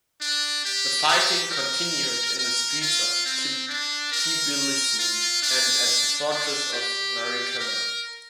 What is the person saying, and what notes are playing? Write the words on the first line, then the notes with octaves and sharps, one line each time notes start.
The fighting continued in the streets of Tbilisi and at the fortress of Narikala.
D4
G4
G4
A#4
A#4
F4
C4
D4
A#4
F4
D4
D4
G4
A#4